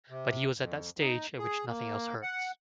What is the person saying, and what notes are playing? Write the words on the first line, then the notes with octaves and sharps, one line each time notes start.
But he was at that stage at which nothing else hurts.
C3
F2
D#4
G#4
A#3
F#5